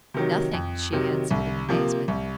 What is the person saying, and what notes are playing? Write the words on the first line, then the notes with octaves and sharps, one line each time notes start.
"Nothing!" she answered, in amazement.
C3 D#3 F#3
F2
C3 D#3 F#3
C2
C3 F3 A#3
C2